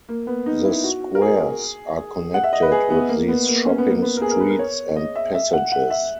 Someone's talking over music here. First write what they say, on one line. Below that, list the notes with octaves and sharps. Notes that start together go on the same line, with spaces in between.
The squares are connected with these shopping streets and passages.
A#3
B3
D#4
E4
F#4
A#4
G#4
F#5
E5
D#5
B4
G#4
B3
A#3
B3
A#3
C#4
B3
A#3
B3
A#4
G#4
A#4
B4
A#4
C#5
D#5
E5
E5
F#5
F#5
E5